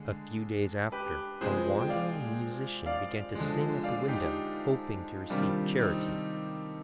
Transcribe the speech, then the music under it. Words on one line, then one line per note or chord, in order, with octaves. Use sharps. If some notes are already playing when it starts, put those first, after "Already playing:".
A few days after, a wandering Musician began to sing at the window, hoping to receive charity.
Already playing: D3 G#3
G4 B4
C3 F3 G#3 G#4 C5
G5
D5 F5
D5 F5
D3 F3 G#3
D5 F5
D#4 G4
C3 D#3 G3 D4 F4
C4 D#4